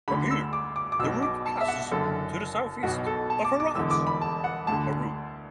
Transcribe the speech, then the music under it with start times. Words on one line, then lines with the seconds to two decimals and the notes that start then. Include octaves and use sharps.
From here, the route passes to the southeast of Harrah's.
0.08 D3 B5
0.11 D2
0.31 E6
0.53 D6
0.76 D6
0.92 D6
0.99 B2 E6
1.03 B1
1.23 D6
1.46 A5
1.61 E5
1.68 F#5
1.91 F#1 F#2 D3 A4
2.83 B1 B2 F#4
3.07 A4
3.30 A5
3.45 D6
3.60 D6
3.75 E1 E2 D3 E6
3.91 D6
4.07 B5
4.21 A5
4.44 F#5
4.67 D2 D3 A5